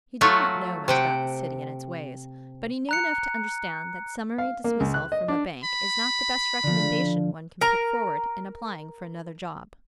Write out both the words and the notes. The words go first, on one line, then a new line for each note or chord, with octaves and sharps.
He did not know much about the City and its ways, but he knew enough to understand that summary dismissal from a bank is not the best recommendation one can put forward in applying for another job.
F#3 A3 F4 F#4
C3 F#5 G5
A#5 F#6 C#7
F5
A#3
C#2
F#6
D#5
D4
B5
D3 F3
A#4 A#5